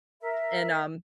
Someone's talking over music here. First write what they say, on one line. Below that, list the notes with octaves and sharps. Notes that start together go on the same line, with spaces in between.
and, um,
A#4 E5